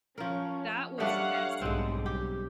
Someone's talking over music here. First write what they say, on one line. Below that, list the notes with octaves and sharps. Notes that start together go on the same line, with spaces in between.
That was messy.
F3 C#4 A#4
G3 A3 D4 C#5 F5 F#5
B1 G#2 G3 G#3 C4
G4